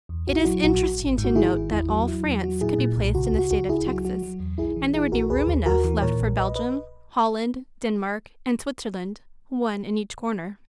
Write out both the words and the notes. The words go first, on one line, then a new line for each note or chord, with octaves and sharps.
It is interesting to note that all France could be placed in the state of Texas and there would be room enough left for Belgium, Holland, Denmark and Switzerland, one in each corner.
E2
A#1 F#4
E4
F#3 F#4
A#1 F#4
A#1
G#1
G#2
F#4
D#3 E4 G#4
G#1
E2 E4
F#3 F#4
F#3 E4
E2
F#3 F#4
A#2 E4 G#4
A#2
B1
C#2 F#4
F#4
C#2
F#4
C#2 F#4
C#2 E4 G#4
F#3 F#4
F#3 F#4
F#3
E2
A#1 E4 G#4
E3
A#1 E4 G#4
A#1 F#4 A#4
D#2 G#4 B4
D#2
D#2 F#4 A#4
E3
A#2 A#4 C#5
A#1
A#1 B4 D#5
B4 D#5